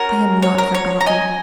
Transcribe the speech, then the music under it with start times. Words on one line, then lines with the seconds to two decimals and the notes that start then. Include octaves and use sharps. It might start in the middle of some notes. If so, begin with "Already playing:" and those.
I am not forgotten.
Already playing: C#4 F#4 A#4
0.42 C#5
0.58 A#4
0.74 C#5
1.01 A#5
1.06 D#5 G#5